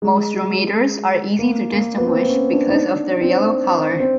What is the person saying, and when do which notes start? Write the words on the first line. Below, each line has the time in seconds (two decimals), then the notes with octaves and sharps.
Most Dromaders are easy to distinguish because of their yellow color.
0.02 G#3
1.39 A#3
1.73 A#3
1.98 B3
2.07 C4
2.29 C#4
2.53 D4
2.70 D#4
2.74 D4
3.21 C4
4.00 C4